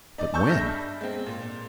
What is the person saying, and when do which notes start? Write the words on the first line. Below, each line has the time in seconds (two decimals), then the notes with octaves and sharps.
"But when?"
0.18 D#4 D5
0.34 A5 C#6 E6 G6
0.47 G2 A4 E5 F6 G6 A#6
1.01 G#3 C4
1.26 A#2